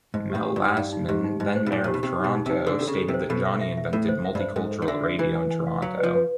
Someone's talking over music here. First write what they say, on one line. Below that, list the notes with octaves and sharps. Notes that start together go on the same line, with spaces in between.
Mel Lastman, then mayor of Toronto, stated that "Johnny invented multicultural radio in Toronto".
G#2 D#4
A2 G4
G4
G2
D#4
G2 D#4
D#4
G#2 G4
D#4
G#2 D#4
C5
B2
A#2 D#4
A#2 G4
B2
C3 G4
D#4
B2
D#4
C3 D#4
D3 A4
C3
A4
C#3
A4
C3
C5
B2 A4
E5
E5
E5
A2 A4
C5
E5
G2
C5
G#2 A4
A4
D#3
D3 E5
E5
E3 B4
G#5
G#5
F5
F#3 F5
B4
F3
B4